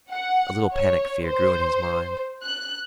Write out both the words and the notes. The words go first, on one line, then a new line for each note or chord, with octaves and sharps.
A little panic-fear grew in his mind.
F#5
C#5
C5
F#6